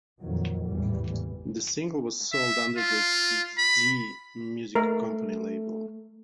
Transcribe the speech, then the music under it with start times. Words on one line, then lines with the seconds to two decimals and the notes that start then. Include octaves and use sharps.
The single was sold under the Zee Music Company label.
0.19 F2 A#2 D#3 F#3
0.67 G#1 E2 A2 C#3 E3 G3
2.33 E5
2.77 F4
3.58 B5
4.75 A3 A#4